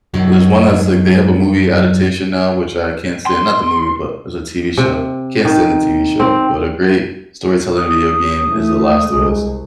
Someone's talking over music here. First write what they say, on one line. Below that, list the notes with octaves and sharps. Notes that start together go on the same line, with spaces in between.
there's one that's, like, they have a movie adaptation now, which I can't stand, not the movie, but it's a TV show, can't stand the TV show, but a great storytelling video game is The Last of Us.
F#2 D#3 F#3
C6
C3
D#3
C4
D#6
E3 A3
C2 G#3